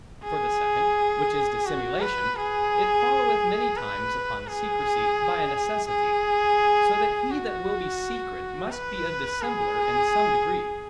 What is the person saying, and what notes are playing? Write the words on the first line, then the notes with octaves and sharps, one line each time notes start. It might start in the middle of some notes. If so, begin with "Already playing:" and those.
For the second, which is dissimulation; it followeth many times upon secrecy, by a necessity; so that he that will be secret, must be a dissembler in some degree.
G#4
F#4
B4
G#4
B4
G#4
G#4
F#4
B4
G#4